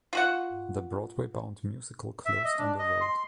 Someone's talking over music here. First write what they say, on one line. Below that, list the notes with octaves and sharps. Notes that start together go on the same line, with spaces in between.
The Broadway-bound musical closed on the road.
F4 F#4 F#5
E5
D#5
D4
D#5
C6